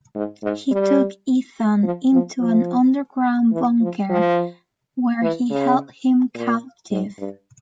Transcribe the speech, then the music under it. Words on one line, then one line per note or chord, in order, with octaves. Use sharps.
He took Ethan into an underground bunker, where he held him captive.
G#2
G#2
G3
F3
F3
F3
E3
F3
F3
E3
C#3
A#2
G#2
G2